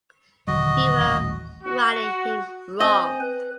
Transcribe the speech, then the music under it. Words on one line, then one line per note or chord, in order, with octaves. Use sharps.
We were riding him wrong.
D#1 D3 F#3 F#4 D#5
D#1 A1
F#4
C4 C5 D#5 G#5
B4